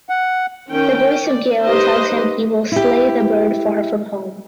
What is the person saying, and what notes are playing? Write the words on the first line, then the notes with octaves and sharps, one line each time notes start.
The voice of Geol tells him he will slay the bird far from home.
F#5
D#3 C#4 G5
D5
D#4 G4 B4 C5 D#5
E4 G4